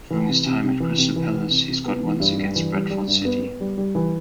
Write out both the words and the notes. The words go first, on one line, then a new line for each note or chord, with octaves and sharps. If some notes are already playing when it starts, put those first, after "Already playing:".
During his time at Crystal Palace, he scored once against Bradford City.
E3
C3
C3
C3
E3
C3
E3
E3
C3
C3
B3
E3
G2
G2
E3
G3
G3
G2
B3
B3
G3
G3
E3